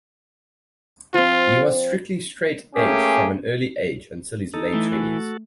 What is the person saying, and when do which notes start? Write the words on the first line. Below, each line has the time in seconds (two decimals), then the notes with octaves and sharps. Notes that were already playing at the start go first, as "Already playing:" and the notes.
He was strictly Straight Edge from an early age until his late twenties.
1.14 F3 C4 F4
2.76 A3 A#3 C#4 G4 G#4
4.54 D#4 A4
4.74 E3 A3
4.92 F#4 A4